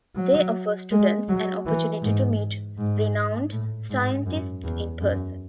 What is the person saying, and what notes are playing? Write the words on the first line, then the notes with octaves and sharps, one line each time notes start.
They offer students an opportunity to meet renowned scientists in person.
F#3
G#3
F#3
E3
G#2
G#2
A2
G#2
F#2
E2
F#2